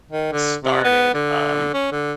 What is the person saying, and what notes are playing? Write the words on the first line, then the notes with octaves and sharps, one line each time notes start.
started, um,
D#3
D3
C3
B3
D3
C#4
D3